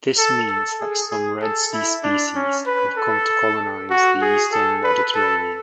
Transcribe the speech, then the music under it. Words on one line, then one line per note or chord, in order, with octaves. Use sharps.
This means that some Red Sea species have come to colonize the eastern Mediterranean.
A4
A4
G#4
G#4
A4
E4
D4
C#4
B4
A4
F#4
G#4
A4
B4
A4